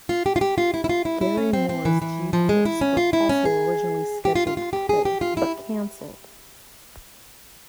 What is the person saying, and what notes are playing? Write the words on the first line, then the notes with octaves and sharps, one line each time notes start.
Gary Moore's G-Force were also originally scheduled to play but cancelled.
F4
G4
F4
G4
F4
E4
E4
F4
E4
E4
C#4
C4
C4
E3
E3
F3
G#3
E4
C#4
F4
E4
C#4
G#4
G4
F4
F4
F4
G4
G#4
G4
F4
E4